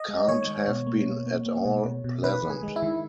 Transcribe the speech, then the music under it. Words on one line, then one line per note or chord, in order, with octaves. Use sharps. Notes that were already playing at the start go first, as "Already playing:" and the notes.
Can't have been at all pleasant.
Already playing: D#5
G#3
D#3 C#5
G#3
B2
A#3
B2
A#3
A#3
B2
B2
B2
D#3 B4
D#3
G#4
G#3
E4
D#3